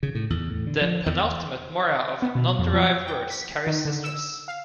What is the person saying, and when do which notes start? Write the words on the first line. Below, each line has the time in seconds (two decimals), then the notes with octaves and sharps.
The penultimate mora of nonderived words carries the stress.
0.03 C#3
0.15 A2
0.30 E2
0.50 A2
0.67 D3
0.81 F3
1.06 E2
2.22 B3
2.35 B2
2.59 F2
2.73 F3
3.06 G5
3.30 B6
3.67 D#3
3.85 D3
4.04 E6
4.48 F5